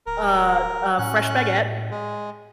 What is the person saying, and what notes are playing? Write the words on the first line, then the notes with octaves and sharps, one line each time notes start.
a a fresh baguette,
D1 A#4
A2 C#4 F#6
G#3